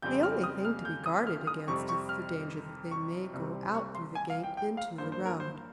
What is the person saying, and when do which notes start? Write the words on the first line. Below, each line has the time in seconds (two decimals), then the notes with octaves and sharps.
The only thing to be guarded against is the danger that they may go out through the gate into the road.
0.02 F2 C#3 G3 C4 G6
0.23 F6
0.44 D#6
0.65 F6
0.85 G6
1.06 D#6
1.27 F6
1.47 D#6
1.68 F2 C3 G3 C4 C#6
1.89 C#6
2.09 F6
2.91 C#6
3.33 C2 C3 G3 C4
3.74 C#6
3.95 C6
4.15 G#5
4.30 F5
4.44 G5
4.57 G5
4.77 F5
4.98 G2 F3 A#3 C5
5.12 C5
5.25 A#4
5.40 C5